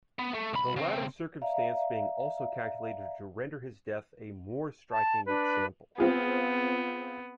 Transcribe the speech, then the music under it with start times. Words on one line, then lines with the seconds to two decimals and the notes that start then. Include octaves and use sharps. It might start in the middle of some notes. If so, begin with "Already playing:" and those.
The latter circumstance being also calculated to render his death a more striking example.
0.19 B3
0.34 A3
0.53 C2 B5
0.76 C#3 C4
1.42 D5 E5 F5 A#5
4.90 A5
5.26 D4 B4
5.98 B3 C4 F4 G#4